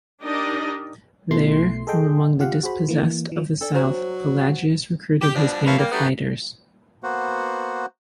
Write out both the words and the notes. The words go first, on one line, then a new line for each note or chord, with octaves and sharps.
There, from among the dispossessed of the south, Pelagius recruited his band of fighters.
D4 D#4 G4 A#4 D5 D#5
B1 B2 A3 E4 C6 C7
G#4 A4 D#5 G5 C6
F4 G4 F5 F#5
F#4 G#4 C5 B5
E3 A#3
E3 F3
D4 A4 D5
F#3 C5 A#5
F#5
G4
G2 B2 F3 D4
F3 A#3 B4 C#5 E5 F5
G3 A#3
F#3 G3 A3 B3 D4 G4
A#3 B3 F#4 C5 F#5